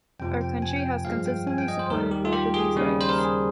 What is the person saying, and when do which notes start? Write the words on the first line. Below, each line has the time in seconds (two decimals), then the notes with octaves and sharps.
Our country has consistently supported both of these rights.
0.20 F2 C3 F3 G5
0.41 G5
0.62 G#5
0.76 G5
1.05 G2 F3 G#3 F5
1.26 G5
1.47 G#5
1.58 G5
1.68 D#5
1.79 C5
1.90 D#2 D#3 G3 A#4
2.11 G4
2.25 F4
2.33 G4
2.54 G#4
2.76 D#2 C#3 G3
3.01 C5
3.09 A#4
3.18 G#4